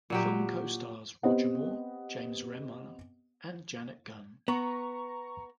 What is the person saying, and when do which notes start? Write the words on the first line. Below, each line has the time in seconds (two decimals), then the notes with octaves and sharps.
The film co-stars Roger Moore, James Remar and Janet Gunn.
0.10 A#2 F#3 G4
1.23 B3 C4 G4 C5 D#5 F#5
4.48 B3 A#5 C#6